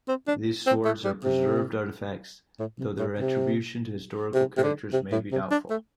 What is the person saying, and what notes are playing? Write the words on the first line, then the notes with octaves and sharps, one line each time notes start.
These swords are preserved artifacts, though their attribution to historical characters may be doubtful.
C4
D4
C4
A3
G3
C3
A2
C3
A2
C3
C3
C3
D3
C3
A2
C3
D4
A3